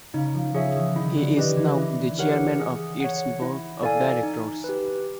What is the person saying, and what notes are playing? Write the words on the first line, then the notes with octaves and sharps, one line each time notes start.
He is now the chairman of its board of directors.
C#3 D#4
F3
F3 G#4 C#5 E5
E3
D#3 E4
D3
D#3 G4 B4 D#5
E3
E4
G4 A#4 C#5 F#5
G#4
C#5 F#5
E4
A4 D5 F5 G#5
D#4
G4 B4